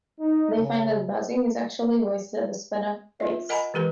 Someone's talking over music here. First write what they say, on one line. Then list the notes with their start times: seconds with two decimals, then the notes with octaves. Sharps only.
They find that the buzzing is actually voices at a sped-up pace.
0.20 D#4
0.58 C#3
3.20 F4 E5
3.49 A#4 D#5 F#5 G#5 A#5 B5
3.74 E3 G#3 G4 A#4 B4